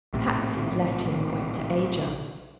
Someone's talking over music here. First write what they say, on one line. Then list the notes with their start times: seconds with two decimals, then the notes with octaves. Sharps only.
Patsy left him and went to Ajo.
0.13 A#1 A2 C3